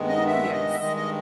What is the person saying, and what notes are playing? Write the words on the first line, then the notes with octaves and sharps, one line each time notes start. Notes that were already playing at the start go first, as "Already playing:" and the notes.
Ooh, yes.
Already playing: G2 D#3 G#3 B3
D#5
E5
D#5
E5
G2 D#3 G#3 D#5
D#5